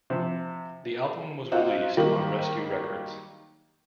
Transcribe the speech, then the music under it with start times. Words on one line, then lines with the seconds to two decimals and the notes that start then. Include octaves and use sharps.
The album was released on Rescue Records.
0.10 C3 F3
1.52 C4 D#4 F4 F#4
1.97 D#3 F#3 G3 A#3